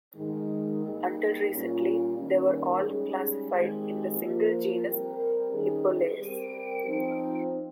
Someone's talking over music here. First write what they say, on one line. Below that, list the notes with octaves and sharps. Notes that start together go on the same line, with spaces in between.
Until recently, they were all classified in the single genus "Hippolais".
G#2 D#3 G#3
G3 A#3 D#4 G#4
A#2 G3 A#3 C#4 F4
D#3 G3 A#3 C#4
G#2 G3 C#4 G#4
D#3 G#3 C4 G4
F3 A#3 F4
G3 C4 G4 A#4
D#3 G3 C#4 G#4
G3 C4 G4 A#4
F3 C4 D#4